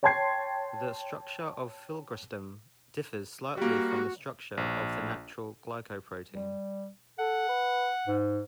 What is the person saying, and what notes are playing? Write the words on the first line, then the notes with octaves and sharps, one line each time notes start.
The structure of filgrastim differs slightly from the structure of the natural glycoprotein.
C#5 G5 A5 C6 G#6 C7
G3 A#3 F#4
A#1
G3
A4 F#5
B4
G#2